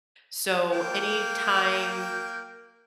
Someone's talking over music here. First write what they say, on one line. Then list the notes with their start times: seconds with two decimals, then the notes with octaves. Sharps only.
So anytime
0.71 A#3 G5